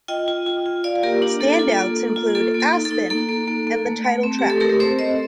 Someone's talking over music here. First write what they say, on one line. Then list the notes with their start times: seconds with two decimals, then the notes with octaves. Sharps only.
Standouts include "Aspen" and the title track.
0.08 F4 D#5 G5
0.28 F4
0.46 F4
0.66 F4
0.84 F4 D5 F5
1.03 A#3 G4 A#4
1.22 D4
1.40 A#3 A4
1.59 F4 A4
1.78 A#3
1.97 A#3
2.16 F4
2.35 A#3 A4
2.54 A#3
2.60 A4
2.73 D#4
2.85 A4
2.91 D#4
3.10 A#3 A4
3.29 A#3
3.48 A#3
3.67 A#3
3.86 A3
4.05 A3
4.23 C4
4.39 A3 G4
4.50 A4
4.60 A3 G4 A#4
4.80 C4 A4 C5
4.99 C4 C5 D#5